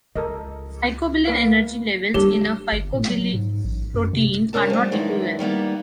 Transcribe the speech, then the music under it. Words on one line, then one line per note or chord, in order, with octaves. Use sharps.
Phycobilin energy levels in a phycobiliprotein are not equivalent.
C#2 A4 A#4 D#5
A#3 B4 F5
G3 A#3 D4 G4 A4 C#5 G7
G1
A2
F#3
G#2
A1
F#2
C3
G2 C#4 D4 A#4 A5
F3 G3
F#2 D#3 E3 G#3 D4
D#3 G3 A#3 B3